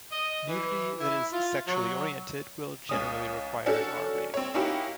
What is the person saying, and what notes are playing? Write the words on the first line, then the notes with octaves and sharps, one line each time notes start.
Nudity that is sexually oriented will generally require an R rating.
D#5
E3
E4
F4
F#3
C#2 C#4 D#6
C#4 D4 F#4 A4
C4 C#5
A#3 C#4 D#4 E4 F#4 G4